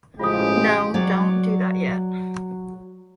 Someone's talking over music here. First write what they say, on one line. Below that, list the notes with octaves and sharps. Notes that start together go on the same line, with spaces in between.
No, don't do that yet.
A1 C#3 F3 G#3 F4 G4 D#6
F#3 D5